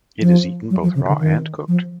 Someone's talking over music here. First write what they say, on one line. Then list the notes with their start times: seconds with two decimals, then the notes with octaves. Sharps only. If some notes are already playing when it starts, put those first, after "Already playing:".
It is eaten both raw and cooked.
0.21 F3
0.70 F#3
0.83 F3
0.95 C#3
1.08 D3
1.19 D#3
1.68 F3